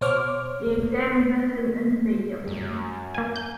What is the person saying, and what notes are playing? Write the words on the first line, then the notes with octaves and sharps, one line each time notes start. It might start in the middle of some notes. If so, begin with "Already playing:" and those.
The exam is at an intermediate level.
B2 C5 C#5 D6 F6
F#2
A#3 G#5
G6